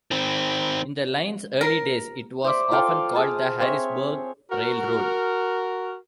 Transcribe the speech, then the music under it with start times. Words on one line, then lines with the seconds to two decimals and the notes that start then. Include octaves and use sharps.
In the line's early days, it was often called the Harrisburg Railroad.
0.11 D#3 C4
1.61 A#4
2.45 C5 D5 E5
2.71 F4 A4 F5 G5
3.15 G#4 A5 D#6
3.60 C4 G#4 C#5 E5
4.50 F#4 A#4